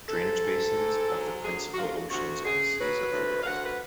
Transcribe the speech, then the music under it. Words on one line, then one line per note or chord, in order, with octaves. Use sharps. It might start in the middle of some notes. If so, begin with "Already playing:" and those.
Drainage basins of the principal oceans and seas of the world.
G#2 A4
G#2
G#2
F#3
D2 G#4
F#4
D2 F4
F#4
D2 F#4
C#3 G#4
F#3 B4
D2
F5
D2 F#5
B4